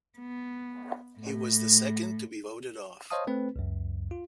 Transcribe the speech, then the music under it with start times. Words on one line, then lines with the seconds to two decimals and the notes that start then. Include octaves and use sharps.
He was the second to be voted off.
0.18 B3
1.19 A2
3.10 C5 C#5 D#5 F5 A5 D#6
3.27 A3 C4 B4
3.56 C#2 F#2
4.11 F4